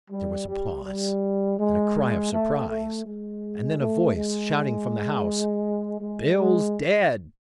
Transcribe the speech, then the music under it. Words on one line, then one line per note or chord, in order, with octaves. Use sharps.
There was a pause, then a cry of surprise, and then a voice shouting from the house, "Bill's dead."
G3
G3
G3
G#3
A3
A3
G#3
A3
G#3
G#3
G#3